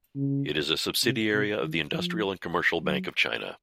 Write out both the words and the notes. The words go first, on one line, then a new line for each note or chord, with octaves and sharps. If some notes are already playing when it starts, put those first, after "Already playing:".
It is a subsidiary of the Industrial and Commercial Bank of China.
C#3
C3
C3
D#3
F3
F#3